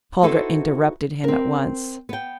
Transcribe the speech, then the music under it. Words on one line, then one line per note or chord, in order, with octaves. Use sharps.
Calder interrupted him at once.
D#4 E4 F#4 A4 B4 C5
C4 A#4
B3 G5